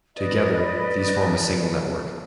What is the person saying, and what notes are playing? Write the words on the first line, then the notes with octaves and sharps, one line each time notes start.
Together these form a single network.
B4 D5 D#5